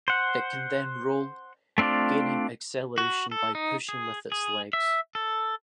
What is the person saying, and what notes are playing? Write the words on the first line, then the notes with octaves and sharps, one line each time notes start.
It can then roll, gaining acceleration by pushing with its legs.
C5 F#5
A3 C4 D4 F4 D5
F#4
A4
D#4
G#4
G#4
E5
A4